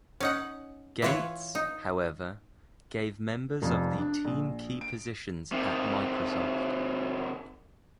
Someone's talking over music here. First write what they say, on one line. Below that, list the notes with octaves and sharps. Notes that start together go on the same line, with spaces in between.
Gates, however, gave members of the team key positions at Microsoft.
C#4 D#4 F#5
E3 E4 F4 B4 C#5
D#4
F1 F2
D4
A#1
D7
C3 D#3